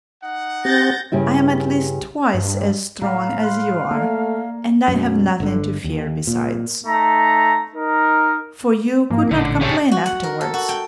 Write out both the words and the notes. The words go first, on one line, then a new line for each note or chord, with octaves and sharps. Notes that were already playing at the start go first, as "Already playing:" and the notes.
I am at least twice as strong as you are and I have nothing to fear, besides. For you could not complain afterwards.
D#4 F#5
C4 G4 G6 A6 A#6
G2 C#3 G3 E4
G2
A2 F5 A#5 B5
B5 C6 F#6
A3 A#3 D5 A#5
F#2 B2
G1 D3
D#2
A#2
A3 D#4 A#5
D#4 A#4
G#2 F3 A#3
A1 A#2 D3
C#3 C#4 G4 A4
F#4
F#5
A#4
A4
F#4
G5